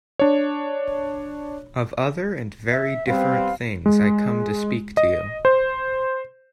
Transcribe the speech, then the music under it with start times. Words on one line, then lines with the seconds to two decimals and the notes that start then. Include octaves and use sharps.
Of other and very different things I come to speak to you.
0.19 D4 C#5
2.71 E5
3.07 G3 B3 C4 F5
3.86 G#3
4.97 D#5
5.45 C5